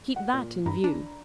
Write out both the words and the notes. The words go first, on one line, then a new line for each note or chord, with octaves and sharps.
Keep that in view.
F#5
A#2
G2 A#5 B5
D4